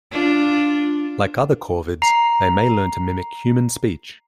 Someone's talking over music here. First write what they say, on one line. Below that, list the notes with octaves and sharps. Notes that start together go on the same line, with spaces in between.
Like other corvids, they may learn to mimic human speech.
D4 F4
A#5 C7